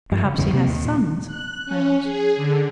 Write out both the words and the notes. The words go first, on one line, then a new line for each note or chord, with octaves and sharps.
'Perhaps he has sons?' I asked.
G2 F3
C#3
A1 E2 C#3 E3
C3 A#3 C4
D#2
A#2
F#6
C#4
G#4
D3